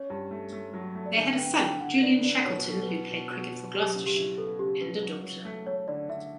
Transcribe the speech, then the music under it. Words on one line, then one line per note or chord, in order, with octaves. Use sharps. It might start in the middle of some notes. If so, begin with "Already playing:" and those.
They had a son, Julian Shackleton, who played cricket for Gloucestershire, and a daughter.
Already playing: C#4 C#5
G2
A3
A3
F#3
A3
D5
D3 E5
B3 G5
D3 G5
D3 F#5
B3 D5
B3 D5
B2 C#5
B4
B2 A4
B3 B4
B2
B2
B2
F#3 G4
C#3
G4
E4
B3 A4
C#3 G4
C#3 B4
F#3
F#3
A3
A3 C#5
D3 D5
D3 E5